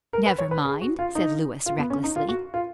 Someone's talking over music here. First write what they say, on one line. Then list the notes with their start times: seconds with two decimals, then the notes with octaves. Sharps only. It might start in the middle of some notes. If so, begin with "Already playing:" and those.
"Never mind," said Louis recklessly.
0.13 A#4
0.26 B4
0.39 C#5
0.51 B4
0.65 G#4
0.82 F#4
0.99 F4
1.15 D#4
1.66 F4
1.78 B3
1.90 C#4
2.04 D#4
2.16 F4
2.29 F#4
2.54 F4